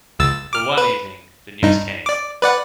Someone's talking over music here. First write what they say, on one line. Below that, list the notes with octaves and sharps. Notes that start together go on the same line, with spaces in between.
But one evening the news came.
C#2 E6 A6
D6 F6
B4
G2 D#4
D5 D6
B4 D5 F#5